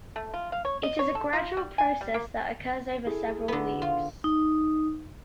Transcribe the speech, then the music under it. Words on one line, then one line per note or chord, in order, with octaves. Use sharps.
It is a gradual process that occurs over several weeks.
A3
F4
F5
C#5
D#5
C#5
A4
F4
G3
G#5
G3
A#3
E4 G#4 A4
D3 B3
F4
D#4